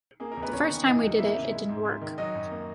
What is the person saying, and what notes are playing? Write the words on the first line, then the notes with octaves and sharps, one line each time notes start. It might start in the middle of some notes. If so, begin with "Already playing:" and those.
The first time we did it, it didn't work.
A#3 G#4
A#4
E2
B3 B4
E2 C#4 C#5
D#3
E3 D#4 D#5
E2
A#3 E4 E5
C#3
G#3
G#2
G#2
D#3
F#3 D#4 D#5
F#2
A#3